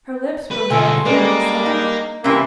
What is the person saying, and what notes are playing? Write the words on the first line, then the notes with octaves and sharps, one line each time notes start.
Her lips were very firmly set.
B4
B2 D3 F4 A4 G#5
G3 G#3 A#3 C#4 D4 A4 B4
D#4
G2 C3 E3 A#3 C#4